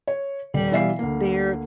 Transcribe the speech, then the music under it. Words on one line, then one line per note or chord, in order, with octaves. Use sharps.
and they're
C#5
D#1
B2 E3 D5 E5 F5 C7
D2 A#3